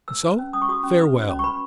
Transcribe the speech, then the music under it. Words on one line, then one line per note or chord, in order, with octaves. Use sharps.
And so, farewell!
B4 E6
B4
C#4
C#4 D#6
C#6
F#4 D#6
C#4
B4
F#4
C#4
C#6
B4 B5